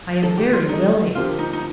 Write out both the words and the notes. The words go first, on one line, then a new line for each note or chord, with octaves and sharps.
"I am very willing."
D#3 A3 D#4 A4
G4
F4
G3 D4 D#4 A4 D#5
D3 F3 C4 F4 G4 A#4
D#4
D#4